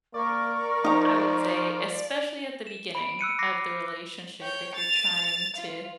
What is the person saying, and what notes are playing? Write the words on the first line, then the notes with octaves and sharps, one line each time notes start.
I would say, especially at the beginning of the relationship, if you're trying to
A#3 A#4 D5 C#6
F3 D#4 A#5
E7
B5 D7
E6 F#6 C#7 D#7
B5 D6 F#6 A#6 C7
C#5 G5
A6 F7
F4